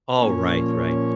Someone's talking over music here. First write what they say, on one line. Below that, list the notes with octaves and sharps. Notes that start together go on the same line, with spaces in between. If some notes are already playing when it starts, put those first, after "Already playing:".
Alright, right.
A#2 F3 A#3 C#4 C#5
C#4 C#5